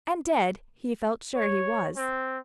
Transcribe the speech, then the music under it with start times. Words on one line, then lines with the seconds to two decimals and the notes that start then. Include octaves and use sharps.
And dead he felt sure he was.
1.36 C#5
1.96 C4